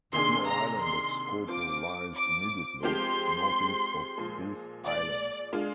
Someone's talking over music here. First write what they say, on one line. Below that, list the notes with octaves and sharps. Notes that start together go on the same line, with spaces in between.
The small island of Skorpo lies immediately northeast of this island.
C3 D#3 A#3 D4 G#4 C6
A#5
C6
F3 C4 F4 D6
D6
F3 G#3 C4 G4 C6
A#2 F3 G#3
D5
G#3 D4 F4